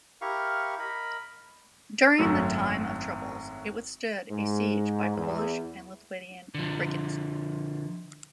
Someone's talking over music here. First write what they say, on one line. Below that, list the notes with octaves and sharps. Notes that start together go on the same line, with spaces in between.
During the Time of Troubles it withstood a siege by Polish and Lithuanian brigands.
E4 G4 A#4 F5 C#6
A#4 D#5 B5
G#1 F#2 F#3 A3 E4 E6
G#2
E2
D3 F3